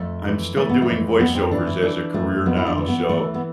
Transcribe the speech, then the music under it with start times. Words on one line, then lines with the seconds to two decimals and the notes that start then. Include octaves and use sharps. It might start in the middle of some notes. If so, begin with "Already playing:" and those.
I'm still doing voiceovers as a career now. So,
Already playing: F2 A3
0.25 E3
0.56 E3 A3
0.69 B3
0.82 A3
0.89 F2
1.19 F2 B3
1.35 C4
1.51 E3 D4
1.67 E4
1.82 E3 D4
2.14 F2 A3
2.46 F2 B3
2.57 E4
2.66 D4
2.77 E3
2.87 B3
3.09 E3 A3
3.34 B3